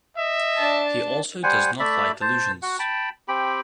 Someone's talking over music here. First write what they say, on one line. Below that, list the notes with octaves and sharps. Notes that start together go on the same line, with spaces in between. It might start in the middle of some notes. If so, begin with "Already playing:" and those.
He also does not like illusions.
D#5 E5
D4 A5
G3 C5 F#5 G#5
A3 D5 E5 B5
C5 A5
F#4 F#5
G5 A5 B5
C4 G4 G5 B5